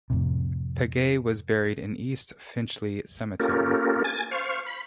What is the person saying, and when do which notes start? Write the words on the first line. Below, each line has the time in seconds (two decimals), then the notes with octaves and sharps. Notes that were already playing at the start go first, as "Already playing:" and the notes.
Paget was buried in East Finchley Cemetery.
0.10 F2 A2 C3
3.40 A#3 C#4 F4 G4 A4 A#4
4.04 G#5 A6
4.31 C5 F5 C#6
4.67 B5